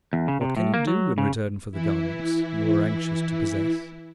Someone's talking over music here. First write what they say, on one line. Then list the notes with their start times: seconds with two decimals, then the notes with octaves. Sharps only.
What can you do in return for the garments you are anxious to possess?
0.13 E2
0.28 C#3
0.41 C3
0.57 A2
0.74 A#3
0.87 F#3
1.18 C#3
1.72 E3 E4